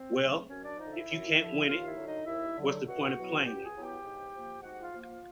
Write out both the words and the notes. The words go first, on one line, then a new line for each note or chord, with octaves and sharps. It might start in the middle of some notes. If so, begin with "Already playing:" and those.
Well, if you can't win it, what's the point of playing it?
Already playing: C4 C5
C#3 F#3 A3 C#4
F#2 C#4 C#5
D4 D5
D3 F3 D#4 D#5
E4 E5
F#2
D3 F3
D#2 F4 F5
E4 E5
D3 F#3
D#4 D#5
D#2 E4 E5
D3 F#3
C#2 F#4 F#5
B2 F#3 B3 E4
C#2 G4 G5
G#4 G#5
B2 F#3 B3 E4
G4 G5
G#2
F3 A#3
G#2 F#4 F#5
F4 F5
F3 A#3
F4 F5